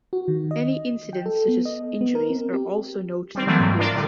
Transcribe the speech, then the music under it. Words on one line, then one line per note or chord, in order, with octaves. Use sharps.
Any incidents such as injuries are also noted in the report.
F#4
D#3
D#5
G5
A4
B3
D#5
B3
A#4
C4
G4
G3 C4
E3 F#3 G3 A3 A#3 C4
G#2
D4 F4 A#4 D5
A2 D3 G3